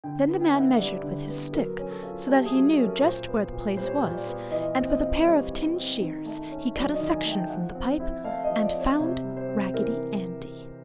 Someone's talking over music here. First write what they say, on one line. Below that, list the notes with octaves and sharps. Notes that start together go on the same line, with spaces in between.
Then the man measured with his stick, so that he knew just where the place was, and with a pair of tin shears he cut a section from the pipe and found Raggedy Andy.
D3 G5
B3
G5
E4
F#5
G3 D5
D3
B3
F#3 A#4
C#4
A4
F4
A3 G4
G#4
F#3
A4
C#4
A#4
A#2 C5
B3
A#2
G3 C5
C#5
C5
A#2
D5
B3
E3 D#5
C4
D#5
F4
G3 C#5
E3
C4
D#3
A3
C#4
F#3 D5
D#5
D#3
G#5
A3
G5
F3 F#5
C4
E4
A3 F5
D#5
F3
D5
C4
C#5
C3 C5
G3
C5
C4
E3 A#4